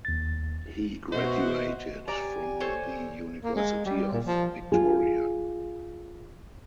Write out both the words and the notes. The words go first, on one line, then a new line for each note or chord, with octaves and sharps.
He graduated from the University of Victoria.
D#2 A6
B2 B3 F#4 C5 D#5 E5
G4 D5 G#5 A#5
A4 C5 C#5
A#3
G#3
G3
A#2
F3
F4 G#4